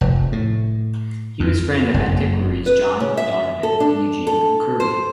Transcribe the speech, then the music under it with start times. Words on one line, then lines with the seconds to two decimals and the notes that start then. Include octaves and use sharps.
He was a friend of antiquaries John O'Donovan and Eugene O'Curry.
0.01 F1
0.32 A2
1.40 F2
1.94 F#1
2.66 B4
3.00 C#3
3.17 E5
3.63 A4
3.80 D4
4.27 A4
4.80 C5